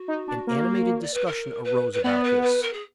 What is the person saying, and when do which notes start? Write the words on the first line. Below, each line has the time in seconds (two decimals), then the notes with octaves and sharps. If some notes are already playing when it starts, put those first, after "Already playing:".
An animated discussion arose about this.
Already playing: F#4
0.08 D#4
0.28 D4
0.47 A#3
1.01 D5
1.14 B4
1.26 A#4
1.64 B4
1.92 B4
2.03 B3 D5
2.23 B4
2.42 B4
2.62 A#4
2.73 G#4